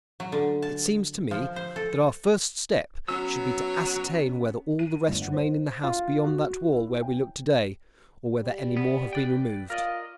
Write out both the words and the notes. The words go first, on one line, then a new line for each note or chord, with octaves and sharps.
It seems to me, that our first step should be to ascertain whether all the rest remain in the house beyond that wall where we look to-day; or whether any more have been removed.
F#3
D3
A5
F3
C5
A4
F#3 B3 C#4 E6
D#7
G1
F#5
C5
F4
F#4
E4
G5
G3
B3
B4 D5 G5
F4 A#4 D5 D#5 F5